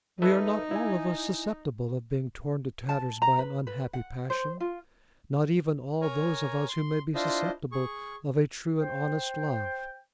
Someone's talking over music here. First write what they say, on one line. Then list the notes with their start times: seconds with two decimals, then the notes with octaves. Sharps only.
We are not all of us susceptible of being torn to tatters by an unhappy passion; not even all those of us who may be susceptible of a true and honest love.
0.22 D#4 A4 B4 E5
0.71 E4 G#5
2.89 A5
3.22 A#5
3.39 B4
3.67 B4
3.93 F#5
4.30 C5
4.60 F4
6.01 A#4 C#5 G#5 A#5
6.68 C6
7.15 D4 E4 F4 C5 D#5
7.72 G#4 C#6
8.80 C5 G5